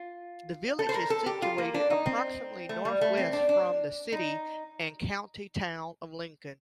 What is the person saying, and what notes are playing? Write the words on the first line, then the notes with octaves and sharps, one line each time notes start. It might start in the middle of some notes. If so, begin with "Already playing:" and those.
The village is situated approximately north-west from the city and county town of Lincoln.
Already playing: F4
A4
C5
A#4
A4
G4
F4
A#3
D4
D#4
C4
A3
G3
A3
C4
D4
D4
D#4